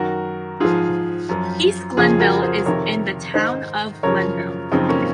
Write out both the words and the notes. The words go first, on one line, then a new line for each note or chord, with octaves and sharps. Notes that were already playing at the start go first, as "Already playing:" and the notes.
East Glenville is in the town of Glenville.
Already playing: F#2 D#3 F#4 A#4
G#2 F3 F4 G#4
F#2 F3
F2 C#3 F3 F4 G#4
F#4 A#4
G#4 C5
F2 C3 D#3 A#4 C#5
G#2 D#3 C5 D#5
F#2 C#3 F3 A#4 C#5
F#2 C#3 F3 C4 D#4
A#3 C#4